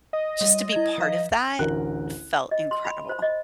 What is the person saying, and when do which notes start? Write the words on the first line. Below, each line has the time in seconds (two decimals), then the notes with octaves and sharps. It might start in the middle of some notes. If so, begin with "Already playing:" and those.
just to be part of that felt incredible.
0.13 D#5
0.41 G3
0.72 E4 G#6
0.98 F3 F5
1.59 A1 D2 A#4 F#6
2.51 D#5
2.71 C6
2.85 B5
3.09 C5
3.22 D#5